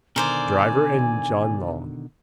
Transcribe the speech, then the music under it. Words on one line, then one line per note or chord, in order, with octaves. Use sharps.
Driver in John Long's.
B2 D3 D#3 A#4 C5 D5 G#5